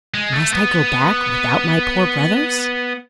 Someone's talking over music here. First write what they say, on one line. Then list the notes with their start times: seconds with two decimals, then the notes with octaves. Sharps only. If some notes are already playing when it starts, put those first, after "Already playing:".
"Must I go back without my poor brothers?"
0.14 G#3
0.33 A3
0.52 B3